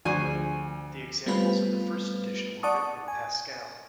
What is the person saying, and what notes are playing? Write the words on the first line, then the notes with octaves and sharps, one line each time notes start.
The examples in the first edition were written in Pascal.
D2 F3 D4 G#4 C5 D5 G#5 C#6
G3 A3 B3 C4 F4 B4
D5 F#5 A5 C#6 D#6
G#5